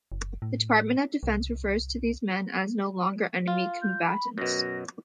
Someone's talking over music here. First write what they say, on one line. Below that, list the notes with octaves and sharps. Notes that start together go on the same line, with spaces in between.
The Department of Defense refers to these men as No Longer Enemy Combatants.
F#1
A2
C2
F4 F5
G6
B5
F#2 B2 A#6